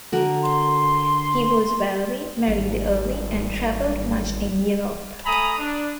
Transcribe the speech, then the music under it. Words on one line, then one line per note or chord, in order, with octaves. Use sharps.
He was wealthy, married early, and travelled much in Europe.
D3 F#4 A#4
C6
G#1 G3
A3 G#5 A#5 B5 D#6
D4